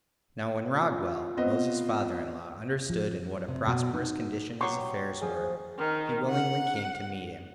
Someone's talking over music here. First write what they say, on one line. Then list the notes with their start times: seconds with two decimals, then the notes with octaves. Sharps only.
Now when Raguel, Moses's father-in-law, understood in what a prosperous condition his affairs were, he willingly came to meet him.
0.77 F4
1.37 B3 C4 D#5
2.90 F3
3.48 C3
3.67 B2
3.93 D#4
4.61 F#3 G4 C6 C#6 D#6
5.21 F3 A3 F4 G#4
5.78 D#3
6.29 F#5